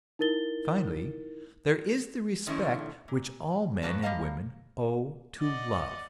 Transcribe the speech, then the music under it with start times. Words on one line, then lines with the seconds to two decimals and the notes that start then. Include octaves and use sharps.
And finally, there is the respect which all men and women owe to love.
0.19 D#4 E4 A#4 A6 G7
2.47 D#3 F3 A3 C#4 D4 E4
3.08 A#2
3.82 F#2 F#3 A#3 B4 A5
4.02 G3 G#3 D#5 F5 A#5
5.39 D5 D#5 F#5